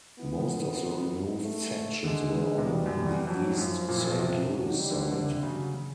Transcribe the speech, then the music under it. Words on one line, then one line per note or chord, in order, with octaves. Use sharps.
Most of the removed sections were on the East Saint Louis side.
E3 B3
F3
D3
D#3
A3
D3 G#3
G#3
C3
B2 G3
F#2
G3
E2
F2 F#3
F#2 F3
A#2 F3
A2
A#2
B2
C3
F#3
D#3
G3
D3
D3 G3
C3
C#3 F#3
C#3